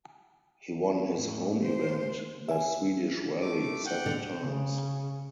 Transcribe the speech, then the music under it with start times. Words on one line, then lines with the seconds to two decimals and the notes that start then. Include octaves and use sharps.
He won his home event, the Swedish Rally, seven times.
1.13 A2
1.61 C5
2.49 E5 G#5
3.42 A3 D6
3.86 F#5 G5
4.06 D3
4.40 C#3